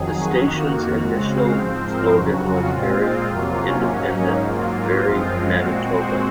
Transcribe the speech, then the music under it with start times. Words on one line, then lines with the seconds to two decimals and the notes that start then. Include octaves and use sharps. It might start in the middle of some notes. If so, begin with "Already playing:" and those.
The station's initial slogan was Very independent, very Manitoba!
Already playing: F2 D#3 F#3 G#4
0.14 F#4
0.42 F2 D#3 A#3
1.00 C#3 G#3 C4
1.28 F5
1.57 G#2 F3 C4 C5
1.85 A#4
2.13 F2 C#3 F#3 F#4
2.42 F4
2.71 A#2 G#3 C4
2.99 F4
3.28 F2 C3 F#3 A#3
3.56 C#4
3.85 G#2 F#3 A#3
4.13 D#4
4.42 G#2 F#3 A#3 F4
4.71 F4
4.99 F#2 F3 G#3 C4
5.56 A#2 G#3 C4 F#4
5.85 C5